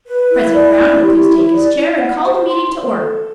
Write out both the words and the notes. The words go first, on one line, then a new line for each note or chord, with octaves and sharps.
President Brown will please take his chair and call the meeting to order.
B4
E4
D5
E4
G4
E4
D5
E4
F#5
C5
C6
C5
A4